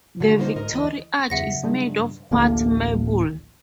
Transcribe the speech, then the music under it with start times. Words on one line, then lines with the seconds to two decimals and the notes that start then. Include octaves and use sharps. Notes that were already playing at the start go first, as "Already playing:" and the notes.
The Victory Arch is made of white marble.
0.20 D3 F#3 A3
0.38 D3 F3 A#3 D#4 G#4 C5
0.56 G#2 A#4 D#5
0.72 D2 E3 D#5
1.30 E2 G2 C#3 F#3 E5 F#5 A#6
1.63 G2 G#3 D4 D#4
2.31 D1 A1 D3 A#3